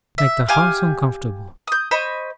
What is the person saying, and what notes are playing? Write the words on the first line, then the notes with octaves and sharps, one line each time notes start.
I make the house uncomfortable.
E5
G4 F5 G#5 F6
D#6 G6
C5 D#5 B5 C#6